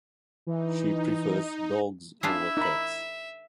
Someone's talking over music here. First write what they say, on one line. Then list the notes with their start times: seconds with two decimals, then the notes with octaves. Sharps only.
She prefers dogs over cats.
0.47 E3 D#4
2.23 D4 E4 F4 G#4 E5
2.57 D#4 B5